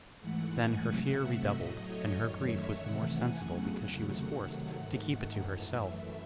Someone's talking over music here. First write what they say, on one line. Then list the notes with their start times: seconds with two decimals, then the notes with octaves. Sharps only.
Then her fear redoubled, and her grief was the more sensible because she was forced to keep it to herself.
0.20 G#2 E3 A3 F#5
0.53 G#5
0.85 C3 F#3 A3 F#5
1.18 E5
1.50 A2 F#3 A3 D#5
1.83 C#5
2.15 F#2 D#3 A3
2.47 E5
2.80 C3 E3 A3 F#5
3.13 G#5
3.45 E2 C#3 F#3 A3 F#5
4.10 C3 D#3 F#3 A3
4.42 F#5
4.75 G#2 D#3 A3 F#5
5.40 F#2 E3 A3
5.73 E5